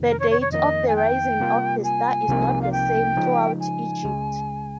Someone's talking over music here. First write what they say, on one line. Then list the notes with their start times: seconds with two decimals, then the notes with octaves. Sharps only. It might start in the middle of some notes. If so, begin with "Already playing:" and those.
The date of the rising of the star is not the same throughout Egypt.
Already playing: F2 C3 D#3
0.08 A#4
0.20 C#5
0.31 C#5
0.41 C#5
0.52 F2 D#3 A#3 D#4 D#5
0.87 G#5
0.96 G5
1.40 C3 G3 A#3 F4
1.84 G#5
2.29 C2 C3 F3 A#3 D#4
2.62 F5
2.72 G5
3.17 C#3 F3 G#3 D#4
3.61 G#5
4.04 C#2 C#3 G#3